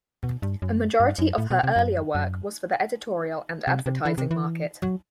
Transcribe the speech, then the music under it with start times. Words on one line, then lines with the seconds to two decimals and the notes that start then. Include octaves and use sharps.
A majority of her earlier work was for the editorial and advertising market.
0.23 B2
0.42 G2
0.62 F#2
1.00 G2
1.19 F#2
1.38 A2
1.51 B2
1.63 C3
1.76 F#2
2.15 F#2
3.67 C3
3.86 C3
4.05 E3
4.18 C3
4.31 E3
4.82 F#3